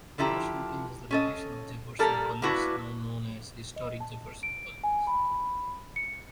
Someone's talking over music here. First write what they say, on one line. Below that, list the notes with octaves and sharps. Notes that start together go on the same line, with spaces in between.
Washington is the location of Jefferson College, now known as Historic Jefferson College.
D3 F3 E4 G4 A#5
C#4 A4 D#5
G3 A#3 A4 A#4
A#3 B3 D4 E4 F#4
D#5
A5
D7
G#5
B5
C#7